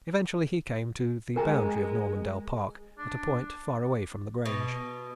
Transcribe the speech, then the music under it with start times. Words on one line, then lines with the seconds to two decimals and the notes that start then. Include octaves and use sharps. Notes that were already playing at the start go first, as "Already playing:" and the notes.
Eventually he came to the boundary of Normandale Park at a point far away from the Grange.
1.36 G#3 A#4 G#5 A#5
2.98 D4
4.45 B2